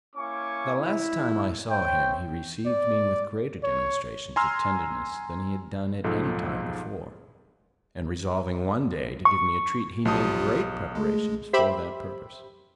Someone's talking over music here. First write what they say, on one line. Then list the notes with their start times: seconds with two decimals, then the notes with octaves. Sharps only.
The last time I saw him, he received me with greater demonstrations of tenderness than he had done at any time before; and resolving one day to give me a treat, he made great preparations for that purpose.
0.15 A#3 C#4 E4 G#5 C#6 D6
0.80 E4
1.71 C5 C#5 E5 G5
2.66 D5
3.63 C#5
4.36 G#5 A#5 C6 E6 F6
6.04 B1 G#2 F3 A4
9.25 C#6
10.05 B1 F3 F4 G4 A5 D#6
10.95 G#3 A3 G#4
11.53 G4 C5 E5 B5